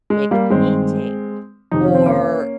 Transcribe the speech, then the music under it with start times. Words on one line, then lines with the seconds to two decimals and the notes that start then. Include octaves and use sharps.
make a painting, or
0.10 G#3
0.31 G3 A#3
0.50 G2 D#3 G#3 C4
1.71 F2 C3 D#3 D#4
1.84 C#4
1.94 C4
2.06 A#3 C#4